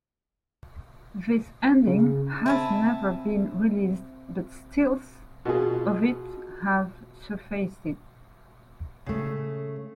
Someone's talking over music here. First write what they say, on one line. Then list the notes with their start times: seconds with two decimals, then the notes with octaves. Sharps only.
This ending has never been released, but stills of it have surfaced.
1.87 C#3
2.46 C4 E5 G#5 A5 B5
5.45 B2 F4 G#4
9.06 C#3 A3